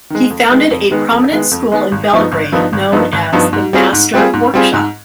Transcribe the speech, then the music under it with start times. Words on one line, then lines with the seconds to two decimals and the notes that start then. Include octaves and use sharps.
He founded a prominent school in Belgrade known as the "Master Workshop".
0.10 D#3 G#3
0.30 F2
0.50 D#3 G#3 B3
0.71 F2
0.91 D#3 G#3 B3
1.11 F2
1.31 D#3 G#3 B3
1.51 F2
1.72 D#3 G#3 B3
1.92 G#1
2.12 G2 F3 B3 D#4
2.32 G#1
2.52 G2 F3 B3 D#4
2.73 G#1
2.92 G2 F3 B3 D#4
3.12 G#1
3.32 G2 F3 B3 D#4
3.53 G#2
3.73 G3 C4 F4 G#4
3.93 G#2
4.14 G3 C4 F4 G#4
4.33 G#2
4.54 G3 C4 F4 G#4
4.74 G#2